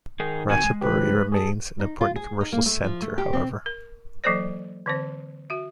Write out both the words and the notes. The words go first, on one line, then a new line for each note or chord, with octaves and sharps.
Ratchaburi remains an important commercial centre, however.
D#3 D#4 G#4
A#2 C4 F#4 G#5
G#3
C#3 F3 G4 B4
G#4 A5 D#6
D#4
F4
G#4
D#4
A#3
A3
F3
A3
G4
C4
A#4
E3 F#3 A#3 A4 C5 D5
D3 E3 C4 C5
F#4 E5